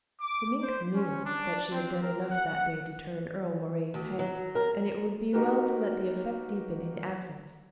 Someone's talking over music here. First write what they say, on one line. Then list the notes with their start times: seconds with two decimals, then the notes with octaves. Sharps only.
The minx knew that she had done enough that day to turn Earle Moray's head, and it would be well to let the effect deepen in absence.
0.21 D6
0.60 C5
0.94 C#4
1.26 D4
1.71 C4
2.02 A#4
2.31 F#5
3.94 D2
4.19 F#3
4.55 A#4
5.33 A#3 D#4 F#4 G4 A#4 B4